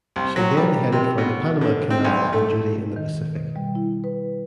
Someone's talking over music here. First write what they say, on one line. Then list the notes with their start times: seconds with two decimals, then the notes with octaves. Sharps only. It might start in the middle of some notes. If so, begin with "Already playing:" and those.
She then headed for the Panama Canal and duty in the Pacific.
0.16 C2
0.36 F#3
0.57 G3
0.92 C3
1.18 B2
1.61 D3
1.90 C4
2.04 B1
2.33 A3
2.96 D#3
3.36 B2
3.56 G3
3.75 E4
4.04 B4